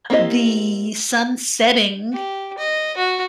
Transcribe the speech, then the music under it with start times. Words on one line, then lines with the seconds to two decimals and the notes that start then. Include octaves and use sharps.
the sun setting
0.10 A#3 C4 E4 G4 D#5
2.12 G4
2.58 D#5
2.97 F#4